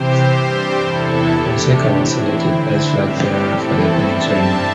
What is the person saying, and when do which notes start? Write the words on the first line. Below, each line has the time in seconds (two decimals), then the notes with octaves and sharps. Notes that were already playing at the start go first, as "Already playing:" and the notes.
Fonseca was selected as flag bearer for the opening ceremony.
Already playing: C3 E3 C4 G4 C5
0.25 G2 G3 C4
0.78 E2 C3 E3 E4 A4
1.32 C3 A3 D4 G4
1.85 A2 E3 C4 E4
2.39 D3 C4
2.92 A2 G3 C4 G4
3.46 E2 E3 A3 C4 E4 A4
3.99 G2 G3 C4 E5 A5